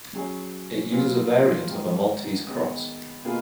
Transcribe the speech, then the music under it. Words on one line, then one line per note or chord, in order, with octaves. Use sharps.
It uses a variant of a Maltese Cross.
F#3 C#4 G#4 C#5
A#2 F#3 B3 F4 G#4
G#2 D#3 G#3
D#3 G#3 B3
B2 A#3 F4 G#4 B4